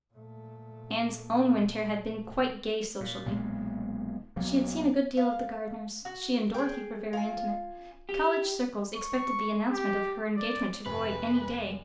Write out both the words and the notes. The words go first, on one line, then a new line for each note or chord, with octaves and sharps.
Anne's own winter had been quite gay socially. She had seen a good deal of the Gardners; she and Dorothy were very intimate; college circles expected the announcement of her engagement to Roy any day.
A#2 A3
A#2
B1 A#2 G#3
B1 F#3 A#3
F5
F#4
G#4 G5
F4 G#5
G4
C#6
G4
D5
F1 B4